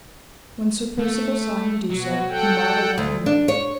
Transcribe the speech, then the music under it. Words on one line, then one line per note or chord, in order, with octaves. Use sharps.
When Sir Percivale saw him do so he marvelled what he meant.
A3
B2 F#3 F#4
A4 F#5 G5
D2
D4
C#5